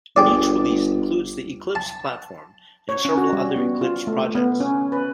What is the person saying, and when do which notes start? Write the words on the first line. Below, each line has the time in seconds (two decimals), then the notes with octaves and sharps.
Each release includes the Eclipse Platform and several other Eclipse projects.
0.16 G1 G4 G#4 D5
1.75 A5
2.89 C#5
3.05 C#4
3.18 F#4
3.33 G3
3.56 B3
3.81 F4
4.07 A3
4.35 B3
4.60 C#4
4.92 B4